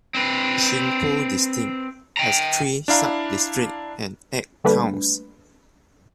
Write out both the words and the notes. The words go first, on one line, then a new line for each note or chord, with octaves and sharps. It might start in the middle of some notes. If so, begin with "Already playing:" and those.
Qingpu District has three subdistricts and eight towns.
C4 B4
G5 A#5
D4 E4 F5 A#5
D3 G3 A3 A#3 D4 B4